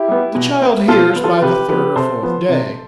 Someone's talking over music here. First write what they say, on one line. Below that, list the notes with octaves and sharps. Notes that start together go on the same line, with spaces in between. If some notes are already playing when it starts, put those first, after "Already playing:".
The child hears by the third or fourth day.
Already playing: E4 G4
G3 B3
B2
B3
B2 F4 A4
B3
F4 A4
C3 G4 B4
F3 B3 G4 B4
C3 A4 C5
F3 B3
C3